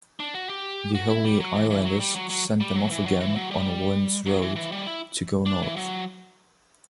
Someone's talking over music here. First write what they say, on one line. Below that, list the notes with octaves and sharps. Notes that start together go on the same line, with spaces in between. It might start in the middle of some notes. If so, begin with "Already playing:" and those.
The Holy Islanders send them off again on Wind's Road to go North.
D4
F#4
G4
F#4
E4
G3
F#3
E3
E3
F#3
G3
F#3
F#3
G3
F#3
E3
F#3
E3
F#3
G3
F#3
E3
E3
G3
E4
D4
E3
F#3